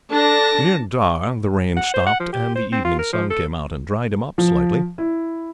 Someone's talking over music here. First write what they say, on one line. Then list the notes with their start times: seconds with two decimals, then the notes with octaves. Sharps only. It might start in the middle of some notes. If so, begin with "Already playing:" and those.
Near Dhar the rain stopped and the evening sun came out and dried him up slightly.
0.12 D4 A4 A5 A#6
1.77 F#5
1.94 C5
2.06 F#5
2.20 F3
2.32 G4
2.55 C5
2.72 C4
2.85 F4
2.99 A#4
3.13 F3
3.30 A4
4.38 F3
4.98 E4